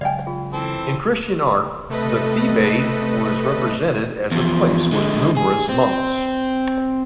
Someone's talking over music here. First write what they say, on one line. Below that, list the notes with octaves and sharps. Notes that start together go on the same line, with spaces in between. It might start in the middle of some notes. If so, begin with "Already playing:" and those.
In Christian art, the Thebaid was represented as a place with numerous monks.
C#3 F#3 G#3 D5 D#5 F5 G5 G#5
F4 G#4
E3 C4 A4
C3 A3 A4 B4 D#5
E2 F3
D3 G#3
G#4
C4